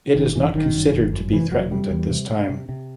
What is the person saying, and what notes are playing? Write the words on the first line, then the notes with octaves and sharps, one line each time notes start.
It is not considered to be threatened at this time.
G1 D#3
F#2 E3
G1 D#3
F#2
G1
F#2
C3 E3
E1 F#3
C3 G3
E2
C3
C3
C3
C3